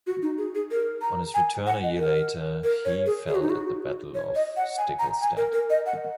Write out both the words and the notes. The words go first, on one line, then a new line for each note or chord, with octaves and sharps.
On his return a year later he fell at the Battle of Stiklestad.
F#4
D#4
G#4
G#4
A#4
A#5
G#5
F#5
D#5
A#4
A#4
C#5
G#4
G#4
F#4
D#4
F#4
C#5
D#5
F#5
G#5
A#5
G#5
A#4
A#4
D#5
F#5